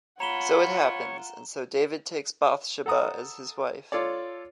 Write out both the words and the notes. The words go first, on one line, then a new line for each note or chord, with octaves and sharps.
So it happens, and so David takes Bath-sheba as his wife.
F4 C#5 F#5 A#5 B5 E7 G7
A4 F#5 A#5 D#6
F4 A4 C#5 D5